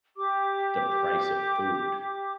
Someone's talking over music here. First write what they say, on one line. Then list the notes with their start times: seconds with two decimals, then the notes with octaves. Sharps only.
the price of food.
0.16 G4 D6